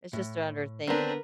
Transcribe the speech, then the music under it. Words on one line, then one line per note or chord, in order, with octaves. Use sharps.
It's just another thing.
A2
D3 B3 C4 D4 A#4 B4